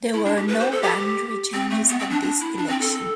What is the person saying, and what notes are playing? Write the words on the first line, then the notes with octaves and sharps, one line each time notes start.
There were no boundary changes at this election.
E4
D4
G4
B4
C5
A4
G4
C4
A3
B3
C4
D4
D4
E4
D4
C4
A4
A4